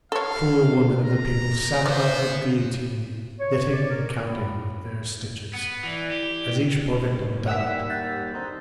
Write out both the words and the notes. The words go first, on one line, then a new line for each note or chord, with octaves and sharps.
Cruel women of the people sat about the guillotine knitting and counting with their stitches, as each poor victim died.
A4 C#5 F5
A#5
B3 C5 D5
C#5
D5
A#4
A2
B3
E3 E4 D5
G4
D#2 G3
A#4 E5 F#5 G5 E6 B6
F#6 G6 A6
D3 C4 D#4